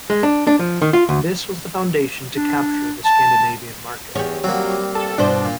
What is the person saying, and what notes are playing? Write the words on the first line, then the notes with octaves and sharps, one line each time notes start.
This was the foundation to capture the Scandinavian market.
G#3
D4
D4
F3
D#3
F4
D2
D4
A5
E2 G4 C#5
F#3 G3 A#3 C4
A4
G2 B2 D4 E4 C5
A#2